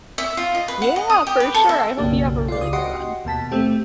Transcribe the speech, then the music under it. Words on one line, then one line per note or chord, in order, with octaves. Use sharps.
Yeah, for sure. I hope you have a really good one.
E5
F4
D#5
B4
F#5
D#5
D#6
G4
B4
A4
E5
B1 F#2 C#3 A#3 D4 G4
F4 D5
C#2 D#6
F#4 G4 D#5 F#5 C6
D#2 B2 A5 B6
A3 C4 G4